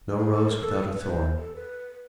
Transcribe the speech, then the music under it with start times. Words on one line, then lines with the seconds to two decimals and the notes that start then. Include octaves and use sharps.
No rose without a thorn.
0.18 G#4
0.33 A4
0.49 A#4
0.63 A4
0.95 B4
1.10 C5
1.39 A4
1.56 B4